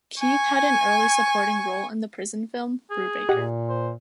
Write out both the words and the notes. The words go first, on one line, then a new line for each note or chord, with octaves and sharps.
Keith had an early supporting role in the prison film "Brubaker".
G#5 C#6
G#4
A#2 G4 D#5 F#5
C5